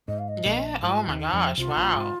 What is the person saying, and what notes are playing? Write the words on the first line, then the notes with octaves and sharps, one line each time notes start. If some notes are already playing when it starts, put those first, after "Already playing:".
Yeah, oh my gosh, wow.
G#2 D#5
F5
D#5
A#1 A#2
G#2 F4
D#2 D#3
D#4
F2 F3
C2 C3 F4
A#1 A#2
G#2